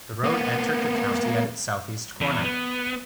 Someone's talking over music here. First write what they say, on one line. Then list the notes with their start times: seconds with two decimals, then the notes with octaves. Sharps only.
The road entered the county at its southeast corner.
0.24 A#3 B3
2.21 E2
2.44 B3